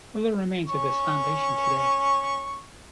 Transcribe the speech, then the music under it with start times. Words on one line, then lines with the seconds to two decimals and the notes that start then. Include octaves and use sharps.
Little remains of this foundation today.
0.68 C#4 C#6